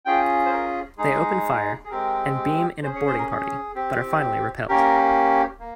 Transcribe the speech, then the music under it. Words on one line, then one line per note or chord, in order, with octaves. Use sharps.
They open fire, and beam in a boarding party, but are finally repelled.
C#4 F4 G#4 G5
C5
A#4
G#3 D#4 G#4
G#4
G#3 C4 G4 A#4
C#4 G#4 C5
C#5
C5
A#4
G#4
C4 G4
A#3 C#4 G4 A#4
A#3